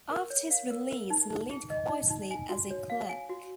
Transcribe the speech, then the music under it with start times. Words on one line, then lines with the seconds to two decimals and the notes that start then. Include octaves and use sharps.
After his release he lived quietly as a clerk.
0.11 A#4
0.30 C#5
0.51 F5
0.70 A#4
0.91 A#4
1.10 D#4
1.30 D#4
1.51 G#4
1.70 D#5
1.90 D#4
2.10 D#4
2.31 G#5
2.49 F#4
2.70 C#5
2.90 F5
3.09 G#5
3.29 F#4